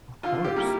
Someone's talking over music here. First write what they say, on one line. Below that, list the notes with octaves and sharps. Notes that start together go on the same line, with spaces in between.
Of course.
D3 F4
G4
G3 A#3 E4